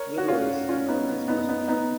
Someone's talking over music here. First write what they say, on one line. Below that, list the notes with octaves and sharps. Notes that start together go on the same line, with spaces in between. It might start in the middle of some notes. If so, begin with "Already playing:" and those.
Little is known of his personal life.
Already playing: A#4 C#5
F#4
C#4 F4
C#4 F4
B3 D#4
B3
B3 D#4
B3 D#4
B3 D#4